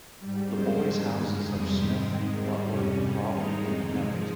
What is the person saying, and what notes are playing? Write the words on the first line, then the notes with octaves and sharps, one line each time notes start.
The boys' houses are Smith, Butler, Robin and Nevett.
G#2 G3
F2 C#3 G#3 C5
G#2 D#3 G3
G2 D#3 G#3
F2 C3 G3 G#4
G#2 D#3 G#3 G4
G#2 D#3 G#3 C4
G#2 G3 C4
F2 C3 G3 C#4
G#2 G3
G#2 D#3 G#3 D#4
F2 C3 D#3 G#3
G#2 F3 G#3